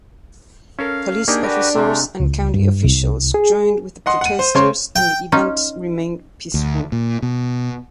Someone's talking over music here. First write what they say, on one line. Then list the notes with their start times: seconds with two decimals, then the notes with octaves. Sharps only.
Police officers and county officials joined with the protesters and the event remained peaceful.
0.79 C#4 A4 A#4 F5
1.28 A#3 D4 D#4 G4 G#4
1.44 D3 F#4 G4 A#4 B4 G#5
1.75 C3 G#3 A3
2.20 C#2
2.54 G2
2.84 C2
3.34 G#4
4.06 D#5 F#5 C6
4.21 F#5 D#7
4.39 C5
4.55 C#3 C5 C#5 C6
4.96 G5
5.32 C#4 D#4 F4
6.54 D2
6.92 A#2
7.22 B2